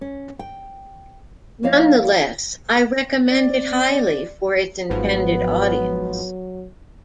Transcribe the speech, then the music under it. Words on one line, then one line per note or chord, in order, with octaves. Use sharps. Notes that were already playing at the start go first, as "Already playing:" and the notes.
Nonetheless, I recommend it highly for its intended audience.
C#4
G5
F3 A#3 E4 C#5 D#5 F5
C4 D5
G#1 G#2 F3 F#3 B3